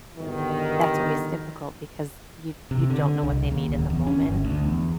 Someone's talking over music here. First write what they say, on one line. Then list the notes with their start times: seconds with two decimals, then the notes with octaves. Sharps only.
that's always difficult because you you don't know what they need in the moment.
0.17 G1 B2 D#3
2.71 C3
2.90 D3
3.23 C2
3.50 D#2
3.73 D1
3.90 E2
4.07 C#4
4.23 G1
4.44 D2
4.64 E2